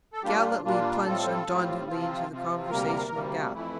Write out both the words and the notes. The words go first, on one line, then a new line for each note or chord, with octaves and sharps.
Galletly plunged undauntedly into the conversational gap.
A4
A#2 G3 A#3 D4 F4 G4
A#2 G3 A#3 D4 F4
A2 G3 C4 F4 A4
A2 G3 C4 F4
C3 F3 C4 F4
C3 F3 C4 F4
D2 C3 G3 A#3 A#4
D2 C3 G3 A#3
F2 E3 A3 E4